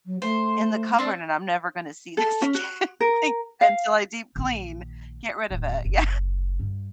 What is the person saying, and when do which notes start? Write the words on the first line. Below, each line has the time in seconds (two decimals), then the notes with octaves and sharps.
in the cupboard, and I'm never gonna see this again, like, until I deep clean, get rid of it, yeah.
0.06 F#3
0.22 A3 C5
0.99 C4 D4
2.17 A4
2.42 C#4
2.55 F#4
3.00 A#4
3.61 F5
4.36 A#1 D#3
5.50 D1 D#2
5.85 F#1
6.60 G2